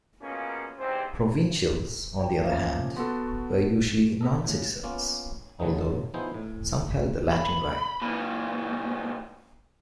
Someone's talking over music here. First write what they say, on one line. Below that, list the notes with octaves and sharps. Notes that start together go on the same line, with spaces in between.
Provincials, on the other hand, were usually non-citizens, although some held the Latin Right.
B2 A#3 C#4 F4 G#4 A#4
E2 G#2 C3 C4
D5 G5 A5
F3 A#3 C#4 E5 F5
B3 F#4 A4 C6
C#6
A4 A#4 D#5 E5 A#5
A2 C#3
A#3 B3 C#4 F4 D5
B2 D3 F#3 A3 D#4
F3 B3 D#4 E4 G#4 C5
A2
B5
C#2 A#2